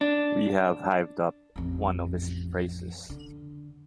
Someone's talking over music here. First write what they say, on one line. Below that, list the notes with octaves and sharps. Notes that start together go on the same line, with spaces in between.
We have hived up one of his phrases.
D4
A1 F2
D3